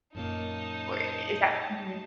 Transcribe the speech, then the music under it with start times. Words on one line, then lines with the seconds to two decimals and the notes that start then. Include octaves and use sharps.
or is that Mhm.
0.15 F#2 A#2 A#3 D#4 C#5 A5